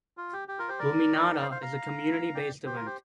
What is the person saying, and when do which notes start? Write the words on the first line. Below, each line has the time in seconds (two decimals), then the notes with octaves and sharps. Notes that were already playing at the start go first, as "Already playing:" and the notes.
Luminata is a community-based event.
0.17 F4
0.33 G4
0.48 G4
0.59 F4 A#4
0.69 G4 C5
0.79 A#4 D5
1.33 G5
1.41 C5 F5
1.51 C5 F5
1.62 F5 A#5
2.35 D5 G5
2.66 G4 C5
2.76 F4 A#4
2.86 G4 C5